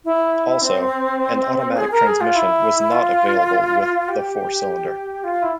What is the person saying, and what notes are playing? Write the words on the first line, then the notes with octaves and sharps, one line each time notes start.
Also, an automatic transmission was not available with the four-cylinder.
E4
C4
G#4
A#4
G#4
F4
E4
F4
G4
F4
E4